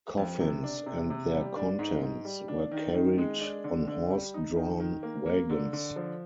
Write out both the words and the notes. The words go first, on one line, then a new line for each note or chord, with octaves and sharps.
Coffins and their contents were carried on horse-drawn wagons.
F2
C3
D4
C3
C3
G3
D4
G#2
G#2
G3
D4
D#3
D#3
G#3
D4
D3
D3
G3
D#4
D#3
D#3
A#3
A#3
D3
D3
F3